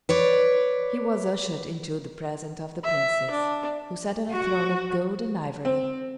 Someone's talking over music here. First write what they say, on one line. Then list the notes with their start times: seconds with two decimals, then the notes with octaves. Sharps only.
He was ushered into the presence of the Princess, who sat on a throne of gold and ivory.
0.09 B4 C#5 D5
2.84 E5
3.31 D4
4.31 F#4
5.65 C4